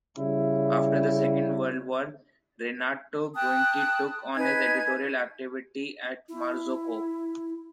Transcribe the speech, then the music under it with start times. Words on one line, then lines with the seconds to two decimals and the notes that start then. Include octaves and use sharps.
After the Second World War, Renato Giunti took on his editorial activity at Marzocco.
0.16 C#3 G3 E4
3.35 G5 A5 D#6 F#6
4.36 D#4 B4 G#5 G#6
6.29 E4